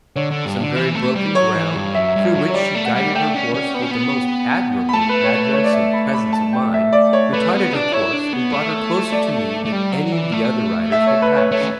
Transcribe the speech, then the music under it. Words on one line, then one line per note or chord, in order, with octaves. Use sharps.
Some very broken ground, through which she guided her horse with the most admirable address and presence of mind, retarded her course, and brought her closer to me than any of the other riders had passed.
D3 C#5
D3
G2
D3
E3
A3
G3
F#3 C#5
E3
G2
F#2 E5
G2
F#3
C#5
G3 D5
A3
F#5
G3
A3 G5
C#4
C#4
B3
C#4
B3
B5
A3 A5
B4
C#5
B4
C#5
D5
E5
B5
B5
A5
G5
E5
D5
C#5
A3 B4
B3
D4
E4 C#5
D4
B3
A3
D5
A3
G3
F#3
E3
A3
E5
C#5
B4
C#5
A3 C#5
C#4